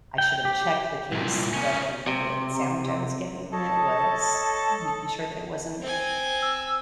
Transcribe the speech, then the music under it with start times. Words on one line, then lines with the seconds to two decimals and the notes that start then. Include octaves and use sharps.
I should’ve checked the case that the, uh, sandwich I was getting, was making sure that it wasn't
0.18 G5
0.45 G4
1.12 C2 A#2
1.53 C#4 D#4
2.07 C3
3.53 A4 C#5 D#5 A5
5.82 C4 G#5
6.42 E6